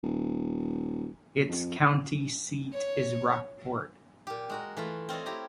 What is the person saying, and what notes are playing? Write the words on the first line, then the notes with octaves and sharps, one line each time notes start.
Its county seat is Rockport.
D#1
F2
C#5
A#2 G4
G#3 F#4 A#4
E3 A3 F4
C4 F4 C#5 D#5
E4 G4 A#5